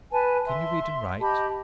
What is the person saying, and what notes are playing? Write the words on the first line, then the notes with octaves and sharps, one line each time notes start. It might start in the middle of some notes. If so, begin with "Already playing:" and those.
"Can you read and write?"
B4 G#5 A5
E5 C6
G4 D#5 A5 B5